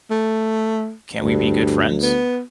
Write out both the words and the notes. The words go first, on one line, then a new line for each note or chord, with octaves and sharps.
Can’t we be good friends?
A3
D2 G2
B3